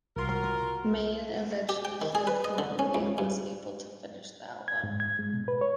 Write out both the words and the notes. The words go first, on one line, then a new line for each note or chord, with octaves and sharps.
Meine eventually healed completely and was able to finish the album.
C2 F4 F#4 A#4 C6
G4
G5
D#3
G#4
B4
D#5
D3
C#4
C#2
G2
G#6
G#2
G#6
G#3
B2
B4
C#5